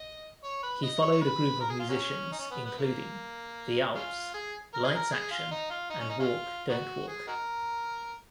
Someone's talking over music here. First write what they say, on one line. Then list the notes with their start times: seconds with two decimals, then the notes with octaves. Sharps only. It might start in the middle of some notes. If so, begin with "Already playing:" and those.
He followed a group of musicians including; The Alps, Lights Action, and Walk.Dontwalk.
Already playing: D#5
0.44 C#5
0.63 B4
0.83 D#5
1.02 C#5
1.12 C#5
1.21 B4
1.61 A#4
1.70 G#4
1.80 F4
1.89 F#3 A#3 C#4
2.32 D#4
2.39 C#4
2.51 B3
2.65 B3
2.78 A#3
3.95 G#3 C#4 F4
4.34 G#4
4.74 A#4
4.84 G#4
4.96 A#4
5.12 G#4
5.31 F4
5.51 D#4
5.70 F4
5.90 D#4
6.00 C#4
6.09 D#4
6.19 G#3 C#4 F4
6.69 B3 D#4 F#4
7.08 G#4
7.27 D#4 F#4 A#4